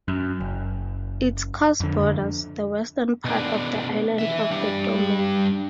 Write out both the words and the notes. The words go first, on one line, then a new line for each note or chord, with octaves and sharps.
Its course borders the western part of the island of the Domaine.
F#2
F#1
F2 D3
B2 D4
E3 E5
G3 D4